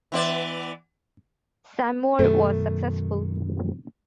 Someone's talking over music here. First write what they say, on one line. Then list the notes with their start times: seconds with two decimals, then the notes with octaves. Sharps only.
Seymour was successful.
0.12 E3 B3 D5
2.19 F#2 B2 D#3 A3